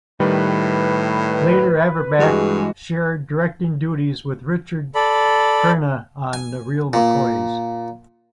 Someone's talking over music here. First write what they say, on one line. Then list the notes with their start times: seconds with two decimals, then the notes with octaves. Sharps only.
Later, Averback shared directing duties with Richard Crenna on "The Real McCoys".
0.20 A2 D#3 G3 B4
2.19 G2 E3 G#3 F#4
4.95 A4 D5 B5
6.33 G#5
6.93 A#2